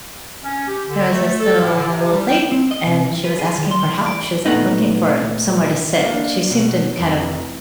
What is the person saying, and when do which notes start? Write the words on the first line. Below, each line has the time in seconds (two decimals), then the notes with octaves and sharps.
there was this little old lady, and she was asking for help, she was a looking for a somewhere to sit, she seemed in kind of
0.44 C#4
0.68 G4
0.89 D3
1.11 A3
1.40 A4
1.62 A2
1.75 D3
1.88 C3
2.11 G3
2.28 G5
2.52 C4
2.71 D#5
2.87 C3
3.05 E3
3.24 B4
3.39 G#4
3.58 D#3
3.71 C6
3.85 E3
4.06 D5
4.46 A#2 A3 B3 D#4
6.01 A#3 D4 F5
6.51 B2
6.97 F1 E3